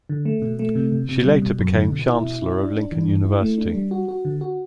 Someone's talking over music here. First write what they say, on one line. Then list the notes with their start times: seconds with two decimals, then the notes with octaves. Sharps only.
She later became Chancellor of Lincoln University.
0.09 D3
0.25 A3
0.42 B2
0.59 A3
0.75 C3
0.92 C3
1.09 C3
1.25 G3
1.42 B2
1.59 F#2
1.75 D3
1.92 B2
2.08 E4
2.25 B2
2.42 E4
2.58 D4
2.75 D4
2.92 E3
3.08 G2
3.24 E4
3.41 A3
3.58 D4
3.75 G3
3.91 F#4
4.08 F#4
4.25 D3
4.41 F#4